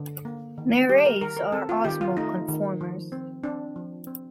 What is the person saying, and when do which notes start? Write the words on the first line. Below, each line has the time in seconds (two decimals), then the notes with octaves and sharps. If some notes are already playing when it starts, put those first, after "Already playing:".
Nereis are osmoconformers.
Already playing: D3
0.25 A#3
0.58 D#3
0.89 G3 G4
1.06 A#4
1.21 D#3 A#4
1.37 A#4
1.52 C4 A4
1.69 F4
1.84 D#3 G4
2.01 F4
2.16 A3 D#4
2.48 D#3
2.81 F3
3.12 C4
3.44 C4 D4
3.76 F3
4.07 C4